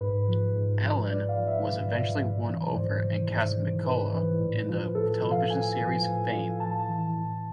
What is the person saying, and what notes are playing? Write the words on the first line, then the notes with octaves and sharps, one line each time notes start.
Allen was eventually won over and cast McCullough in the television series "Fame".
G#2 B4
F3
G#2
F3
G#2 D5
F5
F3
E5
G#2 D5
F3
G#2
E3
G#2 C5
E3
G#2
E3
G#2 B4
E3
A2
F3
A2 A4
F3
F5
A2 G#5
F3
A2
F3
A2 A5
A5
E3
A2